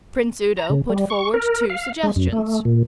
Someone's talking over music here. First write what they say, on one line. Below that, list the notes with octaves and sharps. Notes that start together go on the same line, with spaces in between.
Prince Udo put forward two suggestions.
A#5
C#3
G3
C#6
A#4
F5
G#3
F#2
A3
A#2